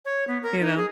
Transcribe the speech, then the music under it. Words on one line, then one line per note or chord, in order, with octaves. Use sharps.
You know?
C#5
B3
A#4
D#4
G#4